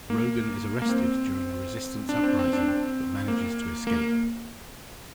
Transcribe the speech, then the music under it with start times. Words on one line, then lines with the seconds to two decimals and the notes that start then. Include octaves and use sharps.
Rogan is arrested during a resistance uprising, but manages to escape.
0.10 A#3
0.82 A#3
0.89 C4
2.09 D4
2.23 C4
2.39 C4
2.53 D4
2.68 C4
3.28 A#3
3.87 A#3